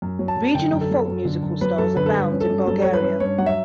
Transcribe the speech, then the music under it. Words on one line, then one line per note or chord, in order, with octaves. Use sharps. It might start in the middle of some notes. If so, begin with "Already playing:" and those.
Regional folk musical styles abound in Bulgaria.
F#2
F#3
A5
F#2
D3 G5
F#2
A4
F#3
F#2
D3
F#2
F#3 B4
F#2 A4
D3 B4
A4
G2 B4
C#4
A4
G2
F#3 A4
G2 C#5
B4
C#4
G2 C#5
F#3 F#5
E5